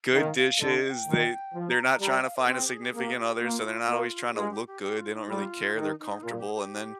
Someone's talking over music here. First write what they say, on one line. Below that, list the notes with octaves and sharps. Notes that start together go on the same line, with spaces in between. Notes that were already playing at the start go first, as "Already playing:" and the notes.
Good dishes, they they're not trying to find a significant other, so they're not always tryna look good, they don't really care, they're comfortable, and then,
D#3 F5
F5
D3 D#5
D#5
G5
D#3
F3
A#5
A#5
G3 A#5
G5
F5
A#4
C4 G4
G#4
G4
G#4
G4
G#4
A#3 G4
G#4
G4
A#3 F4
A#3
G4
G#3 F4
G4
G4
G4
F4
D#4
G3 F4
D#3 D#4
D#4
A#2 F4
G#4
G4
G#4
G4